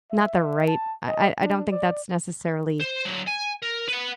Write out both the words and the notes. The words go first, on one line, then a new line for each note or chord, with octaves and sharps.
not the right I I I don't think that's necessarily
E5
A5
D#5
D4
D5
C5
D3 F#3
G#5
A#4
B4 F#5